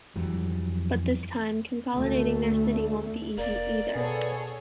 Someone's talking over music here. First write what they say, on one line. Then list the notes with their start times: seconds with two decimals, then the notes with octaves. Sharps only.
But this time, consolidating their city won’t be easy either.
0.16 F2 E3 F#3 G3
1.96 D2 A3
3.38 F1 A#3 D5
3.96 B2 B3 G#4 A4 C#5